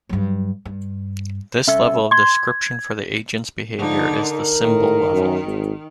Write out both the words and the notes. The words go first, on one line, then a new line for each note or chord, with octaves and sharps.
This level of description for the agent's behavior is the symbol level.
G2 F#3
G2
C2 C#4 A4 E5
C6 G#6
D3 F3 D#4
A#4
A2 D#3
F#2
G#1